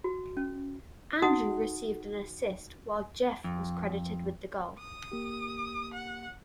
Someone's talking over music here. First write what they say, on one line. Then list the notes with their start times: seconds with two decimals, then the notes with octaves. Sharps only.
Andrew received an assist while Geoff was credited with the goal.
0.04 F#4
0.37 C#4
1.22 D#4 F#4 F#5 D#6
3.44 F2
4.78 D#6
5.12 A#3 G4
5.94 F#5